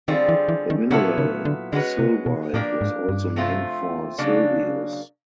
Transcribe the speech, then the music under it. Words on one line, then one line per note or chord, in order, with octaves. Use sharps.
The mineral sylvite was also named for Sylvius.
D3 D#3 G3 C4 F4 G#4
E3
E3
D#3
A#2 C#3 F#3 B3 E4 A4
C#3
D3
D3 G#3 C#4 F#4 B4
C3
B2
A2 F3 A#3 D4 G4 A#4
G#2
G2
C3 F3 A3 C4 F4
C#3 F#3 A#3 D4